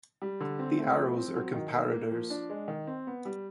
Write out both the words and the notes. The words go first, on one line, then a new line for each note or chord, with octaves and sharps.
The arrows are comparators.
G3
D3
C4
A3
F3
C4
F#3
D#3
A#3
A#3
F3
D4
G#3
D#3
C4
B3
G3